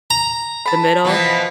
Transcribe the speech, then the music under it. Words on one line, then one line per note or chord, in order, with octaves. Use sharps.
the middle?
A#5
A5 B5
B2 E3 F3 B3